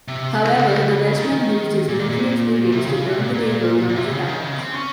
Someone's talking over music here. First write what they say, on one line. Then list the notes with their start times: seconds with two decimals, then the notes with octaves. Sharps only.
However the Welshman used his military experience to turn the tables on his attackers.
0.08 C3
0.54 C#3
1.17 D#3
1.32 D#3
1.89 A#2
1.99 A#2
2.10 A#2
2.72 C3
2.87 C#3
3.03 C3
3.18 A#2
3.34 A#2
3.89 A#2
3.96 C3
4.11 C#3
4.27 D#3
4.43 C#3
4.58 C4
4.74 C#4